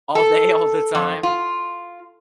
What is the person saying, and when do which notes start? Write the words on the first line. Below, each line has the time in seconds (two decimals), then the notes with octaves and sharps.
all day, all the time?
0.15 A4
0.95 F2
1.23 F4